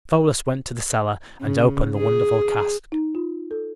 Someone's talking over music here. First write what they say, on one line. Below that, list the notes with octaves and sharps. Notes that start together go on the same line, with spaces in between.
Pholus went to the cellar and opened the wonderful cask.
C#3
G#4
D#4
F4
A4